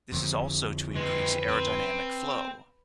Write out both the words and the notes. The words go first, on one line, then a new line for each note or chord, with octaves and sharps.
This is also to increase aerodynamic flow.
F2 D3 F3
G#3 C4 B4
C4